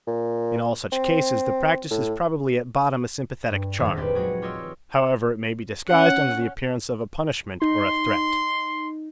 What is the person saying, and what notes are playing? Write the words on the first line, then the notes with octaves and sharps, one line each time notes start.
In all such cases the practice is probably at bottom a sympathetic charm, however it may be disguised under the appearance of a punishment or a threat.
A#2
C4
A2
G2
D#1 G#1 F2 G3 G#4 C5
C4 G4 B4
F#3 G#3 F#4 G#4
F4 G4 C#5 D#5 C6 E6
C#4 F#5
D#4 C6